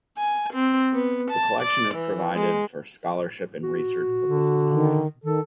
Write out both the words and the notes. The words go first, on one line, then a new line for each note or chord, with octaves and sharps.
The collection is provided for "scholarship and research purposes only".
G#5
C4
B3
A5
D5
E3
G#3
F#4
D3
D#3
D#3 A4